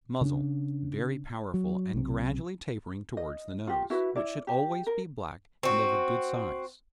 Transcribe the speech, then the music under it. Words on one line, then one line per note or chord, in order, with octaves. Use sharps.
MUZZLE--Very powerful, and gradually tapering towards the nose, which should always be black and of a good size.
C#3 D4
F#3
B1 C3
D#5
F4 G4
E4 F#4 B4
E4 D5
G4
A#4
C4 F#4